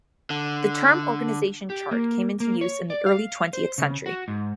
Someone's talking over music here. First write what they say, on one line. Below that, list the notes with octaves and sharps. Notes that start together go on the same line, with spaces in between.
The term "organization chart" came into use in the early twentieth century.
D3
G4
A#3
A#3
C#5
D5
F5
C5
C#3
F#4
G#2